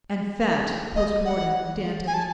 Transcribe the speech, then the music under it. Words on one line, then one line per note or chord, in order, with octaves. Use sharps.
And fat, postmortem, Danton.
D#5
F#5
G#5
A5